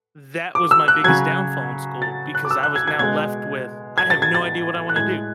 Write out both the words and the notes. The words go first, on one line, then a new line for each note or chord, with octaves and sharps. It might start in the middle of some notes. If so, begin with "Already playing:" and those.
that was my biggest downfall in school because I was now left with, I have no idea what I wanna do.
D6
E6
F#6
C#3 F#3 G#6
A6
F#6
D6
E6
F#6
G#6
G#6
B2 G#3 G#6
G#6
A6
G#6
A6
F#6
A2 G#3 G#6